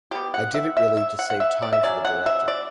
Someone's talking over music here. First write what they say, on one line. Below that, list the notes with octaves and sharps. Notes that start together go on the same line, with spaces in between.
I did it really to save time for the director.
B2 G3 B3 G4
F#5
E5
E5
E5
F#5
F#5
E5
D5
E5
C#3 F#3 C#4 D5
F#5
E5
D5